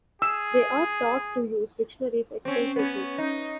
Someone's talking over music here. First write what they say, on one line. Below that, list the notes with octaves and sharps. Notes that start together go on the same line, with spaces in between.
They are taught to use dictionaries extensively.
G#4 E6
C4 C#4
B3 C#4
D#4